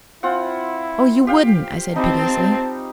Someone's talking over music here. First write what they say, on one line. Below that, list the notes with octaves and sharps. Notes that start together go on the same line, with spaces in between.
"Oh, you wouldn't," I said piteously.
C4 E4 F4 F#5
G4 F5 G5
G3 C4 D#4 A5